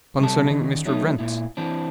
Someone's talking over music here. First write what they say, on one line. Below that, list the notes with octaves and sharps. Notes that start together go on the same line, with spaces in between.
"Concerning Mr. Wrent."
C3 G3 A4 A5
D#3 C#4
F#3 A3 D#4
A#2 E4
E3 C4 D4